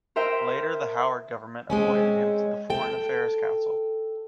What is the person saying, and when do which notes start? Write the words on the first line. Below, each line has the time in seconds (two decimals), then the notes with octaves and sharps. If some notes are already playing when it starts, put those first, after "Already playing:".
Later, the Howard government appointed him to the Foreign Affairs Council.
0.16 A#4 C5 E5 G5
1.70 G#3 C4 C#4
2.70 A4 G5